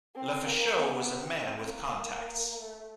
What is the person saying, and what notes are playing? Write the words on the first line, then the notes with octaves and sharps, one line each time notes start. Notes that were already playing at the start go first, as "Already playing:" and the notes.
Lefaucheux was a man with contacts.
C4
A#3
B3
C4
A#3
A3